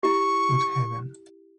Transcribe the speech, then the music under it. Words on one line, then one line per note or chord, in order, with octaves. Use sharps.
Good heaven!
E4 G4 C#6